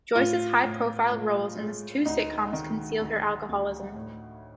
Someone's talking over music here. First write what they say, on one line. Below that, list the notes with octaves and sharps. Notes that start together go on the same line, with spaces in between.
Joyce's high-profile roles in the two sitcoms concealed her alcoholism.
A2 F4
A2
A2
G#3
D2 D#4
D#3
D2
D2
A2